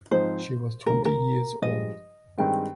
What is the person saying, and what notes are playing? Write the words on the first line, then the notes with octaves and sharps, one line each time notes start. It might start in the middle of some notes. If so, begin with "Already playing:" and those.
She was twenty years old.
G#2 F3 C4 D#4 C5
D2 D3 F3 A#4
A#4
G2 F3 G#3 D#5
G2 D#3 G#3 C4 G5